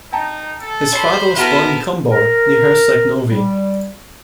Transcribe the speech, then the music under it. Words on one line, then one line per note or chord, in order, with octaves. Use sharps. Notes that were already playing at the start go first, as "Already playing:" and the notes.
His father was born in Kumbor, near Herceg Novi.
D#4 G5 A5 A#5
A4
C5 C#5 A5 B5 C7
B3 E4 F#4 A4 A#4
A#4
G3